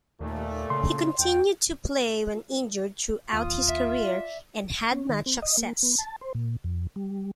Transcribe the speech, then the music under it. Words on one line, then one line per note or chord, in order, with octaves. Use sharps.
He continued to play when injured throughout his career and had much success.
D#2 A#2 A3
C#3 C6
E2 G5
D#2 F4 D#6
E5
D5
C#4
D#3
C4
D#5
A#3
B3
A5
C5
A#2
F2
G3